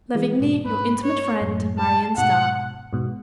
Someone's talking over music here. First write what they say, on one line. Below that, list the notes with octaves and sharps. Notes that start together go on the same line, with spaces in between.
Lovingly, your intimate friend--Marion Starr.
E3 G#3
G#2 B2
G#2 B4
C#5
F#2 A2
A5
G#2 B2 F#5
G#2 B2